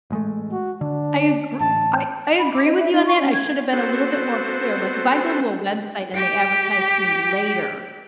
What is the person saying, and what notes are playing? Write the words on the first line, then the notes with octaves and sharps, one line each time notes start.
I agr I I agree with you on that. I should’ve been a little bit more clear. Like, if I go to a website and they advertise to me later,
A1 G#3 A3
F#4
D3 D4
A1 A5
B5
D6
D#5
E5
D#4
C#6
C#4
G#6
B3 C4 F#4 A4 C5
G4 G5